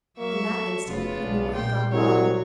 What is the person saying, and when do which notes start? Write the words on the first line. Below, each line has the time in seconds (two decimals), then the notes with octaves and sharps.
In that instant, he knew what had gone wrong.
0.17 F#3 A#3 E5 C#6
0.50 A4
0.88 F1 C#3 B3 F4
1.22 B1 D4
1.55 A#2 G5 C6
1.92 C2 F#3 C#5